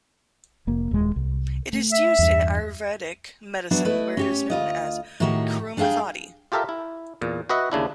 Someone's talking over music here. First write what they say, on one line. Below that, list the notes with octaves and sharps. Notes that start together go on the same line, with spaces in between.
It is used in Ayurvedic medicine, where it is known as kurumthotti.
F1 A#3
D#1 G#3
C2
A3
E5
E2 G2
F#3 B3 D4 E4 F#4
A3 E4 B4 D#5
C#4 G4 C#5
D2 F4 D#5
A2 D#3 F#4 G4 A#4
G3 D4 G#4 F5 G5
F4 G4 A4 A#4 E5
E4
E2 A#2
F#4 B4 D#5 E5 F#5
D#2 C#3 D4 E4